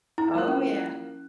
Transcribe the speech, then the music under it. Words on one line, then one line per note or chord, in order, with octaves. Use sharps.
Oh, yeah.
E4 A#5
F3 A#3 F#6
C#4